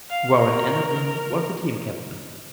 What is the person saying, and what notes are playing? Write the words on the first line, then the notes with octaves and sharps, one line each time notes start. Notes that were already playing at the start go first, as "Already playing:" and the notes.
Warren Anderson was the team captain.
F5
A#4